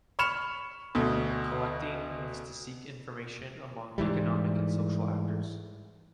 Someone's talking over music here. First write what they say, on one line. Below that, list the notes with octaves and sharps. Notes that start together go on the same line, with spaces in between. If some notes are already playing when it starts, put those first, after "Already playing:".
"Collecting" means to seek information among economic and social actors.
B5 C#6 F6 C#7 E7 F7
D2 B2
G#2 E3 G3